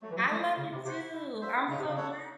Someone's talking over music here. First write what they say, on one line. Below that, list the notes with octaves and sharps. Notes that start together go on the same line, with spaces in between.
I love it too, I'm so glad.
F#3 A3
E3
F#3
A3 C#4 E4 C5
C#3 C#4
C3
C3 F#4 C5 F#5
E4
C5 E5
C#3 D#4
C3
C#3
A4 C#5 F#5